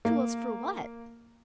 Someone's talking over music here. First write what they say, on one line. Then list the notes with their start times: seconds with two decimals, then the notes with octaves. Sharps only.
"Tools for what?"
0.05 A#3